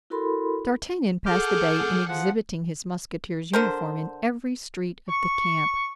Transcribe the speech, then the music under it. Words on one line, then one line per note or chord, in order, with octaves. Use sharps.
D'Artagnan passed the day in exhibiting his Musketeer's uniform in every street of the camp.
E4 F#4 A4 A#4 B5 C6
G#4 A4 F#5 D6 F6 G6
F3 F#5
D3 A#4 C5
C#6